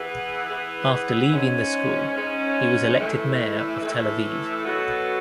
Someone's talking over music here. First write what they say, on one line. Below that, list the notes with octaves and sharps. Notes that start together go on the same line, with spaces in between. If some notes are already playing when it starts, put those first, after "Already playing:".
After leaving the school, he was elected mayor of Tel Aviv.
Already playing: E3 B3 E4 G#4 B4
E3 B3 E4 G#4 B4
G#2 G#3 C#4
G#2 G#3 C#4
A2 E3 A3 E4 A4
A2 E3 A3 E4 A4
B2 F#3 B3 F#4 A4